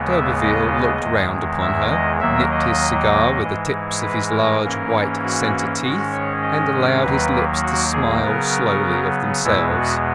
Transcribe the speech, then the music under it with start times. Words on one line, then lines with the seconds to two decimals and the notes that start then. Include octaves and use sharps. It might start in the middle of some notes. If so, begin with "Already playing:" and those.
D'Urberville looked round upon her, nipped his cigar with the tips of his large white centre-teeth, and allowed his lips to smile slowly of themselves.
Already playing: D#2 C#3 G#3 B3
0.10 E5
0.41 D#5
1.00 E2 D#3 G#3
1.61 E5
1.91 D#5
2.21 D#2 D#3 F#3 A#3 E5
2.51 D#5
3.41 G#2 E3 G#3
4.01 B4
4.31 A#4
4.62 G#2 E3 A#3 C#4
5.23 F#4
5.82 G#2 D#3 G#3 C#4 F#4
6.12 C#5
6.43 D#5
7.02 D#2 D#3 F#3 A#3 B4
7.63 F#4
7.92 G#4
8.23 C#3 F#3 B3 A#4
9.43 E2 B2 G#3 B3 E4
9.73 F#4